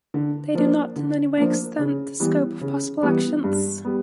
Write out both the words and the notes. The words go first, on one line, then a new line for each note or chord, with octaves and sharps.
They do not in any way extend the scope of possible actions.
D3
F3 A#3 D4
D3
F3 A#3 D4
C#3
E3 G3 B3
C#3
E3 G3 B3
G2
G3 B3